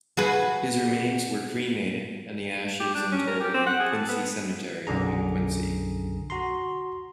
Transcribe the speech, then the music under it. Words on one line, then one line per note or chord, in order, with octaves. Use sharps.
His remains were cremated and the ashes interred in Quincy Cemetery in Quincy.
F#4 G#4 B4
G4
D4
C#4
A#4
G4
C4
F#5
G#4
A4
B3
B1 F#2 D3 G#4 A#5
F#4 A#5 C6